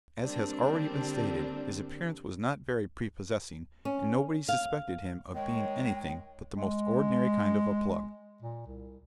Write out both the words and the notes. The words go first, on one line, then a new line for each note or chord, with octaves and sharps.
As has already been stated, his appearance was not very prepossessing, and nobody suspected him of being anything but the most ordinary kind of a plug.
D3 G3 A#3 C4 D4
C#4
F5
D#3 G#3 C#5 G5
G#3
A#2
C2